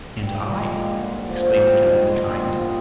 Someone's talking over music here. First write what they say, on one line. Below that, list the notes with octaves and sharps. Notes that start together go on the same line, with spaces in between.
"And I," exclaimed Kenneth the Kind.
G3 G5
D6
A#2 C6
A#5
G#3 D6
A#2
D3
G2
F3
D3
G3
G#2
G3 D6
C6
A#2 A#5
F5
G3 D#5
F5
D3
D#5